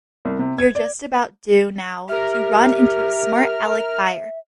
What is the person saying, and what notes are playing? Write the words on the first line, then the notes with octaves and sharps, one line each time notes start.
You're just about due now to run into a smart-Alec buyer.
C2
C3
G#6
D5
G4 A#4 E5 F6